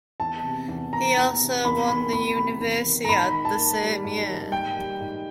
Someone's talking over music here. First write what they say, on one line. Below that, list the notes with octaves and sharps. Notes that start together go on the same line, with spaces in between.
He also won the Universiade the same year.
E2 A5
C3
E2
D#3 A#5
E2
C3
E2 B5
D#3 B5
E2 B5
C3 B5
E2
D#3
A#5
G#2 B5
D#3
A5
A#3
G3
G#2
D#3
A#3 G5
G3
G#2